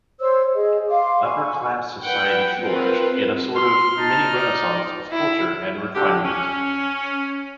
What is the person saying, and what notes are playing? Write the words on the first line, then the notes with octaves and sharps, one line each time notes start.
Upper class society flourished in a sort of mini-Renaissance of culture and refinement.
C5 C#5 E6
G#4 D#5
F5 C6 D6
G#5 B5 C#6
B4 F#5 G5
C4 F4 A#4 B4
C6 F6
D#4 A5
D5
E4
D3 G4
C#4